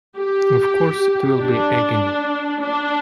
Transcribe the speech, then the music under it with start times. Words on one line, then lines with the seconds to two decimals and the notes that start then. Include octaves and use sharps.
Of course, it will be agony.
0.17 G4
1.39 D4
2.61 D4